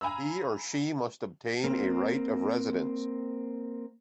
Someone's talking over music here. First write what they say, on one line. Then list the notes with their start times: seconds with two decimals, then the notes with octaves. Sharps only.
He or she must obtain a right of residence.
0.01 F5 G#5 A#5 B5 E6
1.64 A#3 C4